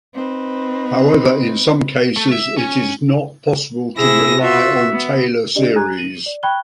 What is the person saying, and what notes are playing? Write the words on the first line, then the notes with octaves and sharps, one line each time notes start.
However, in some cases it is not possible to rely on Taylor series.
C4 D#4 B4
A3
E5
C#4
C3 E4 G#4 E6 A#6
F4 F#4 E5
B3
D4 G4 D5 D#5
G#5 A#5 F#6 G#6
D#7 F#7
D5
G5 B5 C#6 F#6 G#6 G7